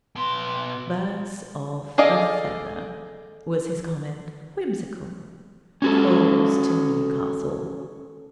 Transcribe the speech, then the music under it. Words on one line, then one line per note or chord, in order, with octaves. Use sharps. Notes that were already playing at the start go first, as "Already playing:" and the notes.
"Birds of a feather," was his comment, whimsical; "coals to Newcastle!"
B2 C6
G#4 A4 D5 D#5 F5
C#4 F#4 A4